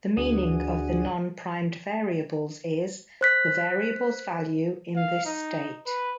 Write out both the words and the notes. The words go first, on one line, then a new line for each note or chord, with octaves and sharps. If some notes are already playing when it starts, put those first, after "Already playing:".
The meaning of the non-primed variables is "the variable's value in this state".
D2 D4 F#4 G#4 D#6
C5 F#6 B6
F5
D#4
B4